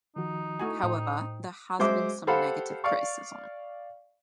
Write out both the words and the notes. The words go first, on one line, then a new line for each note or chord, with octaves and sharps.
However, there has been some negative criticism.
D#3 F3 D#4 F#4
A3 E4 F#4 G#5 C#6
A2 C5 G5
F#3 G#3 C5 E5 D6
G4 A4 C5 F5 F#5 B5
D5 F5 C#6